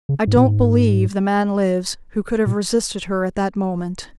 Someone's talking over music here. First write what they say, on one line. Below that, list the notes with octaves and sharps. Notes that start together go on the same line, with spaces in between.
I don't believe the man lives who could have resisted her at that moment.
C#3
G#2
A#2
G#2
A#2